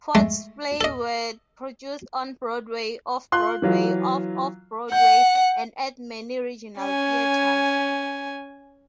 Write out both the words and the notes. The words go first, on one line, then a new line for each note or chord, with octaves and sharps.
Foote's plays were produced on Broadway, Off-Broadway, Off-Off-Broadway and at many regional theatres.
G#3 A3
A4 D#5
F4 C6 F#6
E3 F#3 F4
F#5 G6
C#4 G#5